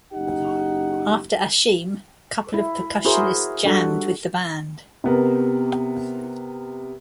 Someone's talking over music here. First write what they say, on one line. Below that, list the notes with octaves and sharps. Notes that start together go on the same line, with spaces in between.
After Asheem, couple of percussionists jammed with the band.
F#1 D#4 G4 F#5
E4
E4 F#4 G#4 A#4 C5
G3 D4 F#4 A4
C3 B3 A#4